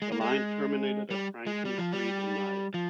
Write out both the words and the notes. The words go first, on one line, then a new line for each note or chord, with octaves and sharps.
The line terminated at Franklin Street in Nyack.
G#3
A#3
G#3
G3
G#3
G3
F3
G3
F3